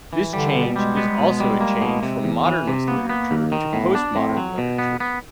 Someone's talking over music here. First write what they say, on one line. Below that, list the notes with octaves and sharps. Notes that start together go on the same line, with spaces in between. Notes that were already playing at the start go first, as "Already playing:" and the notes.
This change is also a change from modernist literature to postmodern literature.
E3
D3 G3
B2
G3 G#3
B3
B2
G3
A#3
B2
C3
E2
E3
C3
A#3 B3
B3
D#2
D#3
A2 B3
D4
A2 C4
F#3
B2
B3
B3